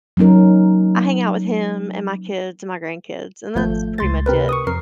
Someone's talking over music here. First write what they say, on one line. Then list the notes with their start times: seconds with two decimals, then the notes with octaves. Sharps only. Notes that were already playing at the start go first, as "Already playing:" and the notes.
I hang out with him and my kids and my grandkids, and that's pretty much it,
0.17 F#3 A#3 C#4 D#4 A#4
3.55 G#1 F3 A3 G6
3.98 C#2 C6 A6
4.26 C3 C4 A#4 B4
4.49 C#6 D#6
4.67 F2 A#4 C7